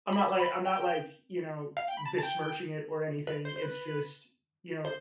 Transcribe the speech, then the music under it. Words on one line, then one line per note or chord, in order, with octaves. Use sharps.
I'm not like I'm not like, you know, besmirching it or anything, it's just, you know,
B5
B5
G5
F5
G5
B5
A5
A5
G5
B4
C5
C5
B4
C5